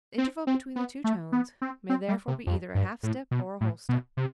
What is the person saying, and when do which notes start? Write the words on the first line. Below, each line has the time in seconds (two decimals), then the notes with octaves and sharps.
The interval between the two tones may therefore be either a half-step or a whole-step.
0.18 C4
0.47 C4
0.76 B3
1.04 A3
1.32 B3
1.62 C4
1.89 C4
2.08 G3
2.28 C3
2.47 F2
2.75 G2
3.03 A2
3.31 B2
3.61 A2
3.89 B2
4.17 C3